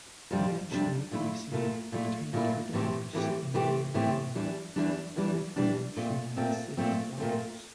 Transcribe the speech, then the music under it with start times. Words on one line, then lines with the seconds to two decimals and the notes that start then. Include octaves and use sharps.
Eventually, Grisi obtained her divorce and married Mario, with whom she had six daughters.
0.31 F2 C3 G3 D4
0.71 F2 C3 G3 D4
1.11 A#2 A3 E4
1.52 A#2 A3 E4
1.92 A#2 A3 E4
2.33 A#2 A3 E4
2.73 A2 E3 A3 C4 G4
3.13 A2 E3 A3 C4 G4
3.54 A2 E3 A3 C4 G4
3.94 A2 E3 A3 C4 G4
4.35 E2 E3 G3 D4
4.76 E2 E3 G3 D4
5.16 E2 E3 G3 D4
5.56 E2 E3 G3 D4
5.96 A#2 A3 C4
6.37 A#2 A3 C4
6.77 A#2 A3 C4
7.18 A#2 A3 C4